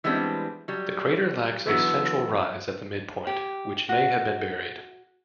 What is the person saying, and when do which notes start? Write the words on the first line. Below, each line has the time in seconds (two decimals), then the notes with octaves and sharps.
The crater lacks a central rise at the midpoint, which may have been buried.
0.04 E3 G3 G#3 B3 C4 D4
0.68 F#3 G3
1.66 D3 E3 F#3 B3
3.27 G4
3.89 F#4